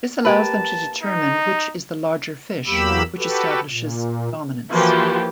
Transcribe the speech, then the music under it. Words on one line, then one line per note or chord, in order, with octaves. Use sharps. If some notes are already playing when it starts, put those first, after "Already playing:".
This allows them to determine which is the larger fish, which establishes dominance.
A#3 G4 B4 A5
D#4
E2 F#3 A#3 G4 B5 E6
F#4 G4 A4 B4
A#2
E3 F3 A#3 F#4 G4